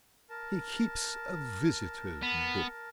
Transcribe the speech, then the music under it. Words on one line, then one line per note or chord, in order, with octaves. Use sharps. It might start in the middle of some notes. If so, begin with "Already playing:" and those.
"He keeps a visitors' book."
A#4 A5
B3